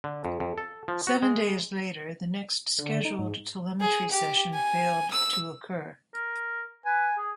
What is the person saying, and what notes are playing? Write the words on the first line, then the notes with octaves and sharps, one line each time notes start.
Seven days later, the next scheduled telemetry session failed to occur.
D3
F2
F2
A4
F3
F#4
G#3
D3
D#4
G#2
G#4
G4
G#5
E6
A#4
B4 G#5
G#4